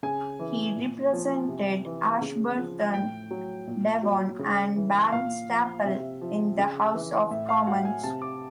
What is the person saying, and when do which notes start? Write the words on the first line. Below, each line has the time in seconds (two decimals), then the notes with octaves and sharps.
He represented Ashburton, Devon and Barnstaple in the House of Commons.
0.03 C#3 G#5
0.39 E3
0.76 A#2
1.13 F3
1.48 C3
1.85 E3
2.21 C#3
2.58 F3
2.94 A2 G5
3.31 F#3
3.67 A#2
4.03 F#3
4.39 C#3
4.76 E3
5.12 A#2 F5
5.50 F3
5.85 C3 E5
6.21 F3
6.59 C#3
6.94 E3
7.30 A2 E5
7.49 F5
7.67 F#3 F#5
7.85 G#5
8.03 C3 A5
8.22 D6